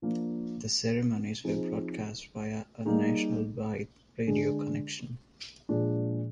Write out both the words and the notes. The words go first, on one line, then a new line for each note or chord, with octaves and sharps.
The ceremonies were broadcast via a nationwide radio connection.
F3 A#3 D4
F3 C4 D#4 G#4
G3 A#3 D#4 G#4
D3 G#3 D4 G#4
A#2 F3 G#3 D4 G#4